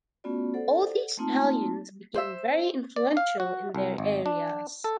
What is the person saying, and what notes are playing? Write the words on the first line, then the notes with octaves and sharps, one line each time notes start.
All these stallions became very influential in their areas.
A3 B3 C#4 F4 F#4 D5
A4 C5 D5 F#5
A3 A#3 C4 D#4 F4 A5
C5 E5
D5
F5
F#4
C2
G#1
D4
A4